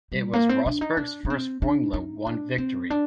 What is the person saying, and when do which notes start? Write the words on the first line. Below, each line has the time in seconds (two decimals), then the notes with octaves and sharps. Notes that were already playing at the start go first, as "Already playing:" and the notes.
It was Rosberg's first Formula One victory.
0.12 G3
0.33 A#3
0.49 C4
0.66 D4
0.81 D#4
0.97 D4
1.25 D4
1.30 C4
1.62 D4
1.94 D#4
2.27 D4
2.58 C4
2.90 D4